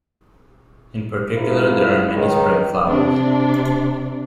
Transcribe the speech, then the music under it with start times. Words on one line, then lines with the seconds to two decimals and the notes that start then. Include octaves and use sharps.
In particular, there are many spring flowers.
1.34 G#2 F3 A#3 E4 F4
2.13 C#2 D#3
2.86 C3 D4